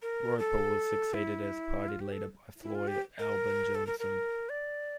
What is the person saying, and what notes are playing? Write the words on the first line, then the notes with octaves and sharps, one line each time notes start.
Roper was succeeded as party leader by Floyd Albin Johnson.
A#4
A4
E4
F4
G4
A4
E4
F4
G4
A#4
A4
A#4
A#4
D5